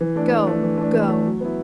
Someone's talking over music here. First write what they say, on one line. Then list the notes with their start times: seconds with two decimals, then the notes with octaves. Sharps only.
Go! go!
0.01 E3
0.16 A3 D4
0.32 E3
0.47 A3 D4
0.63 E3
0.78 A3 D4
0.94 E3
1.09 A3 D4
1.25 F#3
1.40 B3 E4